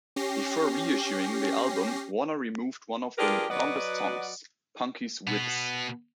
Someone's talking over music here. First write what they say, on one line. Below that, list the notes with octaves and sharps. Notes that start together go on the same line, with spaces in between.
Before re-issuing the album Warner removed one of the longest songs, "Punky's Whips".
C#4 G4 A#6 C7
D4 F4 G4 G#4 A#4 B4
F#3 F#4 B4 D5 D#5 F#5
B2 B3